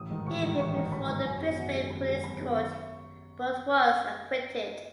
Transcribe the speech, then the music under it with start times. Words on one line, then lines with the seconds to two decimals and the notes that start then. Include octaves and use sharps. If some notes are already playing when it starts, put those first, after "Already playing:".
He appeared before the Brisbane Police Court but was acquitted.
Already playing: A1 D#6
0.10 G#2 D#3
0.26 A1 C#6
0.42 G#2 D#3
0.59 A1 C#6
0.76 G#2 D#3
0.92 A1 B5
1.09 G#2 D#3
1.25 F#2 G#5
1.41 D#3 G#3 B3
1.58 F#2 F#5
1.74 D#3 G#3 B3
1.90 F#2 B5
2.08 D#3 G#3 B3
2.24 F#2 B5
2.40 D#3 G#3 B3
2.57 C#6